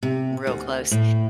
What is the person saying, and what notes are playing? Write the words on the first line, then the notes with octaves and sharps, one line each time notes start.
real close,
C3
D2
A2